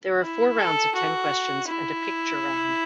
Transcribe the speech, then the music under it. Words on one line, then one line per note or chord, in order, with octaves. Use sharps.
There are four rounds of ten questions, and a picture round.
E4
A4
F#4
E4